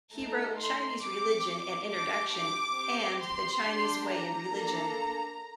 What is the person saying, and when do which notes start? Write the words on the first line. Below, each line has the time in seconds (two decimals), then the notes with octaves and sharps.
He wrote "Chinese Religion: An Introduction" and "The Chinese Way in Religion".
0.13 A3 D#4 A4 A#5
0.56 C6
1.00 C4 G4 D6
1.86 D4 G4 D6
2.30 D6
2.73 C4 G4
3.17 C6
3.60 D4 G4
4.04 A#5
4.47 A#3 D4 A4